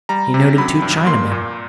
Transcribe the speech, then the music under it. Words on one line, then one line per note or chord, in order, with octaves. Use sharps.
He noted two Chinamen.
G3 A#5
C3
F#3 B5
G2
A#3 C6
A#2